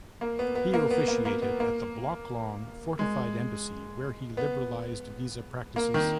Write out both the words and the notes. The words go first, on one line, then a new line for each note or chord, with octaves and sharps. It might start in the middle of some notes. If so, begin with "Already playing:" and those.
He officiated at the block-long, fortified embassy where he liberalized visa practices.
A#3
B3
B3
A#3
B3
A#3
A#3
B3
A#3
G#3
B3
A#3
D#3